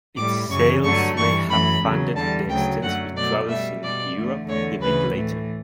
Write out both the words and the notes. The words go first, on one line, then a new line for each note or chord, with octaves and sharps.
Its sales may have funded the extensive travels in Europe he made later.
A2 G3 D6
F#2 C#3 E3 C#6
G2 D3 F#3 A3 C#6
G2 E3 G3 C#6
F#2 E3 A3 B5
E2 C#3 F#3
E2 D3 G3 A5
D2 C#3 F#3 G5
F#2 D3 F#3 A3 F#5
B2 F#3 A3 D5
B2 G3 E5
B2 G3 D5
E2 D3 A3
E2 D3 A3 C#5
D2 C#3 E3 A3 B4
A2 E3 A3